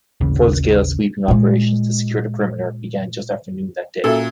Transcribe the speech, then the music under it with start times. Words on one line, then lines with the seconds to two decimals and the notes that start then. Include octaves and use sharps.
Full-scale sweeping operations to secure the perimeter began just after noon that day.
0.21 A1 D#2 C#3
1.28 A#2 G#3
4.04 A#2 C#4 F#4 A4 E5